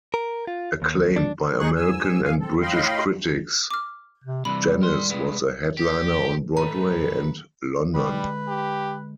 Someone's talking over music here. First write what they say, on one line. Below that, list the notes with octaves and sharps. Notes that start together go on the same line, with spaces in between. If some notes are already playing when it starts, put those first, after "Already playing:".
Acclaimed by American and British critics, Janis was a headliner on Broadway and London.
A#4
F4
D#2
D4
D#4 G#4 C#6 F#6
G#2 G#5 E6
F5 G#5
C4 A4
A2 D#5 F5 G5 B5 C6
D6 F6
C3
C3 D#3 E3 G3 B5
A#4 C6
C2 G#3 B4
G4
G#2 A3 B4 A#5
D3 G3 G#3 B4
G4